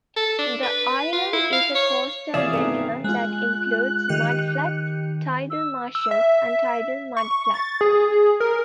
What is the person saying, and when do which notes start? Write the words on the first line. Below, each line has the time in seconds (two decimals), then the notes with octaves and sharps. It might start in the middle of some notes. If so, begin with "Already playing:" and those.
The island is a coastal wetland that includes mudflats, tidal marshes, and tidal mudflats.
0.16 A4
0.39 D4
0.63 B4
1.13 F4
1.33 E4
1.52 F5
1.75 C#5
2.34 C3 E3 F4 G#4 D5 E5 F5
2.53 D#3 A3 B3
3.04 G#3 F4 F#6
4.09 D#3 G4 C#7
5.50 E6
5.95 E6
6.11 E5
7.17 C#6
7.54 A6
7.81 G#4
8.40 A#4